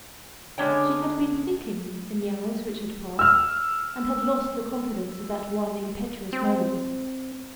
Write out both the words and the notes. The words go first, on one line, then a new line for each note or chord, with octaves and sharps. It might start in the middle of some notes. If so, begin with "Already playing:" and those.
She had been thinking in the hours which had passed, and had lost the confidence of that one impetuous moment.
D3 G#3 C#4 D4 C#5 G5
E6 F6
C4